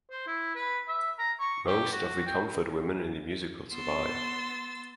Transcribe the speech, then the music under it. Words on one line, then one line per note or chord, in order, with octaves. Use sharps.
Most of the comfort women in the musical survive.
C5
E4
B4
E5
A#5
C#6
G4
F#4
G5
B3 C6 E6 A6